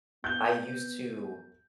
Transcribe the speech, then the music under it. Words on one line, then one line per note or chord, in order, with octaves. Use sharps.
I used to
B3 G6 G7